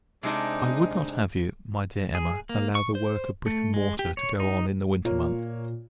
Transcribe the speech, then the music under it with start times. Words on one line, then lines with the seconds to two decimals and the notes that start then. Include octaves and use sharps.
I would not have you, my dear Emma, allow the work of brick and mortar to go on in the winter months.
0.23 C3 G#3 D4 D#4
2.15 G#4
2.49 A#3
2.75 C#6
2.95 C5
3.46 A3
3.74 G#3
3.99 G4
4.17 C#5
4.40 D#4
5.05 A#2 A#3 F4 C#5